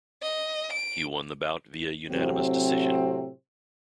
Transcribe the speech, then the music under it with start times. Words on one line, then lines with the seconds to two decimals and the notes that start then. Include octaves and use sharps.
He won the bout via unanimous decision.
0.22 D#5
0.73 D7
2.10 A2 C3 F#3 C4